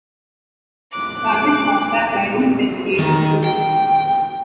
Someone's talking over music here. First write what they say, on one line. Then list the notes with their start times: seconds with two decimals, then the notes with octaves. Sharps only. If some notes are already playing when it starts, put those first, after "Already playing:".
She started horseback riding at the age of two.
0.92 D6 F#6
2.98 D#3
3.44 G5